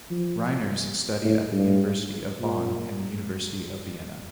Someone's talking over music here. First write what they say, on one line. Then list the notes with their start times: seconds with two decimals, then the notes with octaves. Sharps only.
Reiners studied at the University of Bonn and the University of Vienna.
0.10 F3
1.25 A2
1.53 G2
2.40 A#2